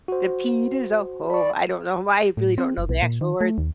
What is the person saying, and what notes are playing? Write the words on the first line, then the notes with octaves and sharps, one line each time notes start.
"The pita zoho," I don't know why, I really don't know the actual words.
F#4 C5
D5 B5 C#6
A2
C4
F#1
B1
A#2
D#3
A3
D#2